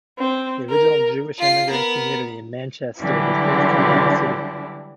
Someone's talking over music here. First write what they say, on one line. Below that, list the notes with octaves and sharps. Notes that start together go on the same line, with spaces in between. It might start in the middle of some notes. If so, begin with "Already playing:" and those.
The original Jewish immigrant community in Manchester was based in the inner city.
C4
A#4
F4 C7
B3 A#4
D3 E3 F#3 G3 E4